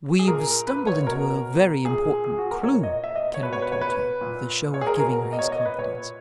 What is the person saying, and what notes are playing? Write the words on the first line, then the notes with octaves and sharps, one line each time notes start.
"We've stumbled into a very important clue," Kennedy told her, with a show of giving her his confidence.
G#4
A#2 A#4
B4
C#5
B2 A#4
A#2 G#4
G#4
F#4
A#4
A#2 C#5
D#5
E5
D#5
C#5
B2 B4
C#5
B4
C#5
B4
A#2
C#5
G#4
A#4
B2 A#4
D#5
C#5
D#5
B4
A#2 C#5